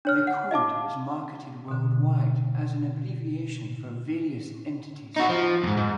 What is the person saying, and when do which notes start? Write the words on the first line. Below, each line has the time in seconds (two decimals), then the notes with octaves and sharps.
The code is marketed worldwide as an abbreviation for various entities.
0.05 D4 C#5 F6
0.27 F#5
0.51 D#5 F5 A5 D6
1.68 B2 D3
5.17 D#4 F#4
5.29 F3
5.64 F2 G#2
5.77 G#2